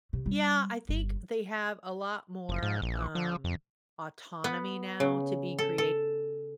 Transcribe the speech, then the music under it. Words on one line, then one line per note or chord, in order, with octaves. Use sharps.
Yeah. I think they have a lot more, um, autonomy now to be creative.
C3
G3
G1
F#1
G#2
A#1
F3
F2
B3
C#3
A4
A4